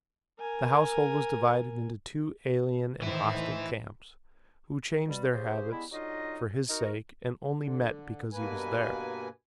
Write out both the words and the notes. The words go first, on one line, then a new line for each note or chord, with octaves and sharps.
The household was divided into two alien and hostile camps, who changed their habits for his sake and only met because he was there.
A#4 G#5
A2 D#3 E3 E4 C5
B2 G3
C#2 C#3 G4 G#4 C5
G3 G#3 B3 E4
D3 F#3 D#4 F4 D#5
D#4 F#4 A#4
D3
G2 B2 A#3 B4 G#5